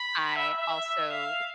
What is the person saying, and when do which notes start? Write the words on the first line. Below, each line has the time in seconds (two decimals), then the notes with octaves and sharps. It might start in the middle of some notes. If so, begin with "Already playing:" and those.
I also
Already playing: B5
0.36 E5
0.58 E5
1.11 F5